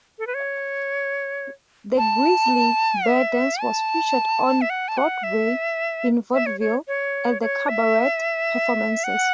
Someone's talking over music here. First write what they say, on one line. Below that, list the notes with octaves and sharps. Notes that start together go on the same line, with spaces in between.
The Grizzly Bear dance was featured "on Broadway, in vaudeville, and at cabaret performances".
A4
B4
C#5
A5
E5
A5
E5
F#5
A5
F#5
E5
E5
C#5
C#5
C#5
C#5
E5
F#5